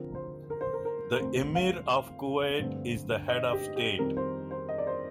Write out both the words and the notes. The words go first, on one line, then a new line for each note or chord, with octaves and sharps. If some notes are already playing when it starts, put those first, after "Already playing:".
The Emir of Kuwait is the head of state.
Already playing: D3 F3 C4 A#4
C5
A#4
C5
A#4
A#4
A#4
F2 D3 A3 C4 C5
F5
G2 D3 A3 C4
D#5
G4
G4
F2 D#3 G3 C4 A#4
C5
C5
D#5
D5
C5